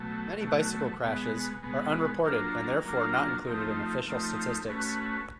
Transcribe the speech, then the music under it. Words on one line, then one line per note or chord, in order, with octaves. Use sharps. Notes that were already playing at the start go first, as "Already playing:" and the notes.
Many bicycle crashes are unreported and therefore not included in official statistics.
Already playing: B2 F#3 A3
B2 F#3 A3
B2 G#3 B3
B2 G#3 B3
F#3 A#3 D4 F4 A#4
F#3 A#3 D4 F4 A#4
F3 A3 C4 D#4
F3 A3 C4 D#4
A3 C#4 F#4 B4